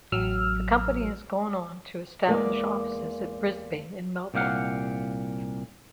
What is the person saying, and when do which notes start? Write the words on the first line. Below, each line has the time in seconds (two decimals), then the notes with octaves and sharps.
The company has since gone on to establish offices at Brisbane and Melbourne.
0.12 A1 F#3 E6 F6
2.27 E2 G#3 A#3 D5
4.34 C2 A#2 G4 F5 F#5